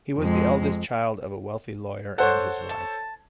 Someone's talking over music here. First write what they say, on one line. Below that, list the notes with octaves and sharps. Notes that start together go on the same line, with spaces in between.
He was the eldest child of a wealthy lawyer and his wife.
F2 G#3
A4 C5 C#5 F#5
A5